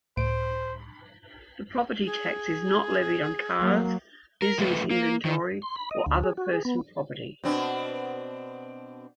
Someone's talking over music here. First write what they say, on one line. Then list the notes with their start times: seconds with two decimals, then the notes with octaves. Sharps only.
The property tax is not levied on cars, business inventory, or other personal property.
0.17 C#2 A2 C5 D7
2.06 G#4
3.61 F#3 A#3
4.42 A#4
4.58 F3 G#3 A3 B3 B4
4.91 A#3
5.25 D#3
5.62 C6
5.76 B5
5.91 D#5
6.06 D2
6.24 G#4
6.37 F#4
6.53 G#4
6.65 B3
7.44 B2 C4 D4